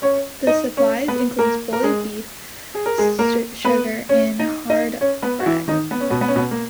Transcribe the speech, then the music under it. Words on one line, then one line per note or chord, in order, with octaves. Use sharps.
The supplies include bully-beef, sugar and hard bread.
C#4 C#5
D#4 D#5
C#4 C#5
B3 B4
A#3 A#4
A#4
G#3 G#4
G#4
A#4
G#3 G#4
A#3 A#4
B3 B4
C#4 C#5
D#4 D#5
D#4 D#5
C#4 C#5
B3 B4
F#4
E3 E4
D#3 D#4
B3
C#4
B2 B3
B3
C#4
B2 B3
A#3